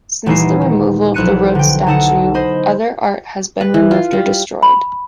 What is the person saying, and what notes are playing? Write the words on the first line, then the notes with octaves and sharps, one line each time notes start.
Since the removal of the Rhodes statue, other art has been removed or destroyed.
D#1 E3 D#4 E4 C7
D#3
B1 F3 E4 F#6 C#7 D#7
D3 G5
D3 D#4 A4 F#5 A5
C5 D#5 B5
B4
E3
F4
G3
B5